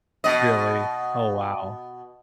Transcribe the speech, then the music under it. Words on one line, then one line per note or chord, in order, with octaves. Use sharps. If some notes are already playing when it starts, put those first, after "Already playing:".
Really? Oh, wow.
B2 D#5